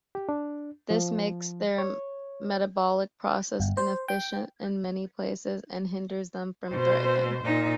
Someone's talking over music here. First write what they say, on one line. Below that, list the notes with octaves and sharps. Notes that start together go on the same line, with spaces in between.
This makes their metabolic process inefficient in many places and hinders them from thriving.
G4
D4
F3
C#5
G1
C5
G5
B2 C5
A#2 D#4